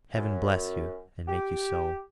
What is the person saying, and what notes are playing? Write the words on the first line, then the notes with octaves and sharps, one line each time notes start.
Heaven bless you and make you so!
F#2
G4